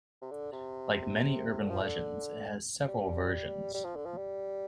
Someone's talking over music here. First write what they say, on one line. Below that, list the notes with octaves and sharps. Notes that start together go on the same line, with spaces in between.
Like many urban legends, it has several versions.
C3
D3
C3
D3
F3
D3
G3
G3
F3
D3
F3
G3